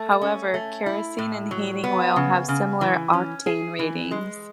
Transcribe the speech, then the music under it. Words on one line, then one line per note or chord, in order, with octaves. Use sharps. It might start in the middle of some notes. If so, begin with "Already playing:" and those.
However, kerosene and heating oil have similar octane ratings.
Already playing: A3 A4
C#4
A3
E4
A2
F#3
B3
C#3
C#3
E3
C#4
G#4
E3
G#3